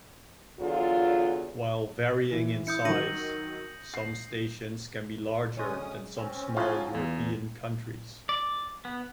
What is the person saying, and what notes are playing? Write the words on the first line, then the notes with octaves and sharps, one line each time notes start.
While varying in size, some stations can be larger than some small European countries.
E2 D3 F#3 F4
E3
E4 D#6 G6 C#7
D#3 F#3 A#6 D#7 F#7
C7
D2 G#3 C#4 C#5 D#6
C4 C#4
C#3 F3 F#3 F4 F5 G#5
E2 F4
D5
B3